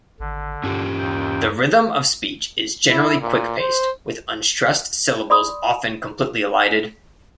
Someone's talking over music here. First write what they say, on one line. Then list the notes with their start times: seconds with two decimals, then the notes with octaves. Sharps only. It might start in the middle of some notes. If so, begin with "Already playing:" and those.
The rhythm of speech is generally quick-paced, with unstressed syllables often completely elided.
0.20 G#1 D3
0.64 G2 C#4 F4 G4
0.98 D#2 G5
2.90 E4
3.21 A#2
3.60 C5
5.30 D5 B5 C6 D#6